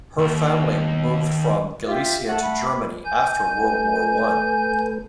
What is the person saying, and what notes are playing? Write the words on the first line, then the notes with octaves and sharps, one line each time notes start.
Her family moved from Galicia to Germany after World War One.
D#2
F4 G4 E5
A3 A4 F#5 A5
B5
G#5 G6
A3 A4 B4